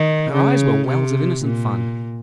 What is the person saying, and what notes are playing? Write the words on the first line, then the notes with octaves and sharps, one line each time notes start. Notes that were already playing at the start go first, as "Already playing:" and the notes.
Her eyes were wells of innocent fun.
Already playing: D#3
C#3
C3
A#2